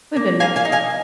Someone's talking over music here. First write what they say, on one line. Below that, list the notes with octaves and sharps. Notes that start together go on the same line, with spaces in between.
We've been ma
A#3
A#3 F5 G#5
F5 G#5
D#4
F5 G#5